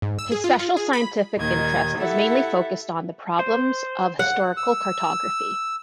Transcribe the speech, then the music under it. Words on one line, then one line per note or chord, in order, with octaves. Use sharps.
His special scientific interest was mainly focused on the problems of historical cartography.
G#2
E6
G#4
F4
F4
G#4
B5
D#2 A#2 D#3 D#5 G#6
E4 G4 A4 E5 F#5
C5
F#5
E6